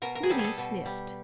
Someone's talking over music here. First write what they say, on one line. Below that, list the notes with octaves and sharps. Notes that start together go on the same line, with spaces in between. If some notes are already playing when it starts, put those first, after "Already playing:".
Liddy sniffed.
B2 A#4
A#4
G#4
G3 A4
G#4
A4
B2
G3